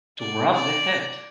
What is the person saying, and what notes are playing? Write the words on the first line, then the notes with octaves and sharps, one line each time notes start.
To wrap the head.
D5
D5